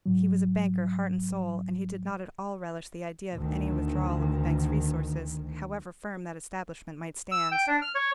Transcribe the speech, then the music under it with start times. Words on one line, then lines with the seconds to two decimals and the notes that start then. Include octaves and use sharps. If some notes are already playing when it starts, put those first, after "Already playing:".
He was a banker heart and soul, and he did not at all relish the idea of any withdrawal of the bank's resources, however firm that establishment might stand.
0.06 G#2 F#3
3.34 D2 D#3
7.32 E6
7.52 G5
7.67 D4
7.82 F6
7.95 C#5